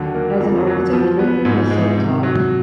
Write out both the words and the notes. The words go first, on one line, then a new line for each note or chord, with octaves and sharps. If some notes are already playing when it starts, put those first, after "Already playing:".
As an architect, Rickman was self-taught.
Already playing: D#2 D3 F#3
A#3
F2
F#3
F3
B3
G#2
G#3
C3
F#3